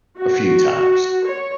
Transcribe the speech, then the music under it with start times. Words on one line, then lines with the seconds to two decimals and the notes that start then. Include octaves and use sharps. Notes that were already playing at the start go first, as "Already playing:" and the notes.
a few times.
0.18 F#4
1.26 C#5